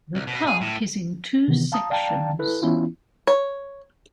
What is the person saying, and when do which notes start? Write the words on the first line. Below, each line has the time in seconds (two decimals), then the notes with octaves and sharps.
The park is in two sections.
0.15 C2
0.27 B2
0.47 G#4
0.61 A2
1.48 C3 D#3 E3 B3
1.72 F5 A5 A#5 D#6
1.90 D5 F5 G5 A5 A#5
2.39 E4 A4 B4
2.62 E3 B3 C#4 E4 F4
3.27 C#5